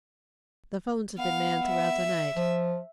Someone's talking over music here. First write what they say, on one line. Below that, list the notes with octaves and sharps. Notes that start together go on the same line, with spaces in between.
The phones had been manned throughout the night.
B3 F5
E5
F3